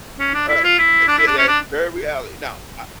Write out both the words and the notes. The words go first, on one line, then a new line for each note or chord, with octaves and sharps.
Right, and and that's very reality now, I
C#4
D4
E4
F4
E4
D4
E4
D4
C#4
D4